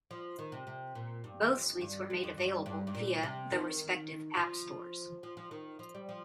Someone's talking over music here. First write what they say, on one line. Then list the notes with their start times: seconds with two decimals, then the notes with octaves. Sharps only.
Both suites were made available via the respective App Stores.
0.11 F3
0.39 D#3
0.52 C3
0.67 C3
0.95 A#2
1.24 G2
1.53 F2
1.81 G2
2.10 F2
2.24 F2
2.38 G2
2.66 G2
2.87 G2
2.95 A#2
3.23 C3
3.51 D#3
4.37 F3
5.23 F3
5.37 F3
5.51 D#3
5.79 F3
5.94 G3
6.09 F3